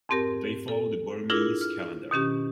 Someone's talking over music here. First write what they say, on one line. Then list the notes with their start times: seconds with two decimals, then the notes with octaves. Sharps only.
They follow the Burmese calendar.
0.09 F2 G#2 C4 G4 A#4
0.68 A4
1.30 D4 E4 F4 G#4 A#4
1.61 F6
2.11 B2 D#3 C#4 G4